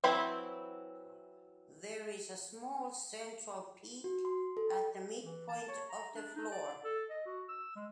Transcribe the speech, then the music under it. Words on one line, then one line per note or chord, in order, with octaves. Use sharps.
There is a small central peak at the midpoint of the floor.
E3 F#3 C4 E4 B5
F#4
C6
A4
G5
E3
A5
C#5
A#5
D4
D#4
D5
A4
D#5
F#4
E6
G#3